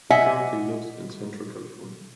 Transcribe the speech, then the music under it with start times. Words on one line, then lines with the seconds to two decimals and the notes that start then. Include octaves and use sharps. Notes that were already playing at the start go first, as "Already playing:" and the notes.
He currently lives in central California.
0.10 D#5 E5 F#5 G#5